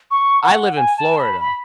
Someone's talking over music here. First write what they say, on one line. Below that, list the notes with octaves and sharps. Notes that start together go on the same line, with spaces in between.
I live in Florida.
C#6
F#5
G#5
A5
B5
B5